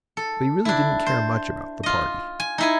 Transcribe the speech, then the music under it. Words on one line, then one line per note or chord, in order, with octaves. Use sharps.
But he really didn't care much about the party.
A4
D4 E4
C5
F4 D#5
G#5
D#4 E4 G#5